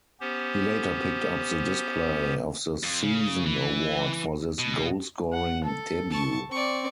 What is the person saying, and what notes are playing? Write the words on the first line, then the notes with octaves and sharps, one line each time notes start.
He later picked up the display of the season award for this goal-scoring debut.
B3 C#4 G4 C5
F2
C#3
E3
B2
F#5
A4
A5 C#6
C4 D5 C#6